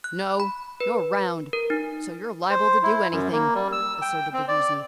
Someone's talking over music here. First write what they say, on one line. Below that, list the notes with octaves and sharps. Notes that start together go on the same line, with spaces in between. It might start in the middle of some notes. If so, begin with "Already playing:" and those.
"No; you're round, so you're liable to do anything," asserted the Woozy.
F#6
B5
B4
A#4
D#4
C5
E4
F#2
A#3
G3
E6
G5
C4
D5